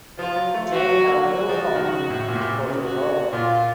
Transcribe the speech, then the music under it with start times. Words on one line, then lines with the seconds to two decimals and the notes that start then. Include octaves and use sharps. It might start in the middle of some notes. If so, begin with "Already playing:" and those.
J. L. Wilfong, reported aboard.
0.18 F3 F4
0.36 F#3
0.54 A3
0.71 F#4
0.89 F#3
1.06 A#3
1.23 F#3 F#4
1.49 F3
1.75 D#3
1.93 C#3
2.10 A2
2.28 A#2
2.35 A2
2.41 A#2
2.54 C3
2.67 C#3
2.80 F#4
3.32 A#2 F4